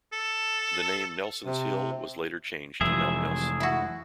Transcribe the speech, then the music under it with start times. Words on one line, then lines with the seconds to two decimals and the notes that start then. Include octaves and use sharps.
The name 'Nelson's Hill' was later changed to Mount Nelson.
0.12 A4
1.46 C3
2.81 F1 F2 E3 F#3 G#3 G#4 E5
3.60 E4 F#4